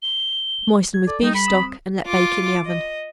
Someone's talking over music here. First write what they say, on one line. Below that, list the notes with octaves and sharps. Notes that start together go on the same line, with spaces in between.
Moisten with beef-stock and let bake in the oven.
G7
G#6
A4 D5
G3 D#4
B5
C4 D#6 E7
F4 D6
D#5